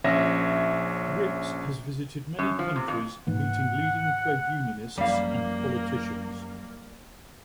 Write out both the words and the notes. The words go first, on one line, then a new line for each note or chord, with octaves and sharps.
Rix has visited many countries meeting leading trade unionists and politicians.
A#1 C#4 C#5 E5 A#6
F#2
F3
C3
F2
G#2 E3 A#3 F#5
F#2 F3 G3 A#3 F5